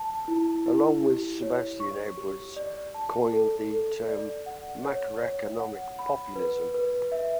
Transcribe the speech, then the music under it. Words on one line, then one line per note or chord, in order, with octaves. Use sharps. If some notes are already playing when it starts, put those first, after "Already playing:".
Along with Sebastian Edwards coined the term macroeconomic populism.
Already playing: A5
E4
E4
G4
C#5
C#6
G4
D5
A5
A4
A4
D5
F#5
C#5
C#5
F#5
B5
B4
B4
E5